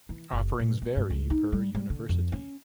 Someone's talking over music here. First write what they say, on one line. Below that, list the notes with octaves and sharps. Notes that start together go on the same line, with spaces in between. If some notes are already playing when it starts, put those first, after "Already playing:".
Offerings vary per university.
E3
F#1
A#2
B3
G2
C#2
D#4
G3
G3
D3
F2
C#4